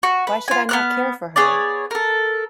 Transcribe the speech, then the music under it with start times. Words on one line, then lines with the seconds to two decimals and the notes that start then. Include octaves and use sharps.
Why should I not care for her?
0.03 F#4
0.27 B4
0.48 F4 G#5
0.69 B3 F6 F#6
1.36 B3 G#4 C#5 D5
1.91 A4 A#4